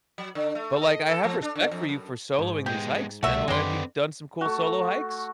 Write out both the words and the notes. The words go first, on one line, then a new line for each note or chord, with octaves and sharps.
but, like, I have respect for you for soloing these hikes, man, uh, have you done some cool solo hikes?
F#3
D3
A3
D#5
A4
F3
D4
D3
F2
F#2
G#2
G#3 B3 G4
C2 B2 G3 A3 F#4 E5
F#2 D3 D#3 G#3 C4 G4 B4 C6
A3 F#4